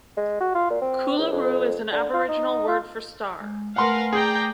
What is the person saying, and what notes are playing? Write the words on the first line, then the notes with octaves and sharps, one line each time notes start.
Coolaroo is an Aboriginal word for 'star'.
G#3
F#4
F4
A#2
C4
C#2
F2
D3
F4
D#4
F4
G#3
A3 A#4 B4 F5 F#5 G#5 C6
G#4 D5 G5 A#5